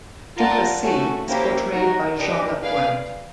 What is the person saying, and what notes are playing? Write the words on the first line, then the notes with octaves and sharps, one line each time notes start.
Duplessis is portrayed by Jean Lapointe.
F4 A#4 D5 F#5 A5
A3 C#4 F#4
A#3 C#4 E4 G4 C5
D#4 F#4 A#4 C#5
D4 G4 B4 D#5
G#4 B4 D5 F5